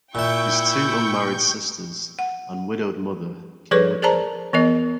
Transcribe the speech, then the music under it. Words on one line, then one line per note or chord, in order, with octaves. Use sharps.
His two unmarried sisters and widowed mother came with them.
A#2 E4 E5 G5 C#6 G6
F#5
F3 G#4 A4 B4 C#5 C#6
G#4 A#4 C5 D5 A5 A#5
E3 B3 A#4 D#5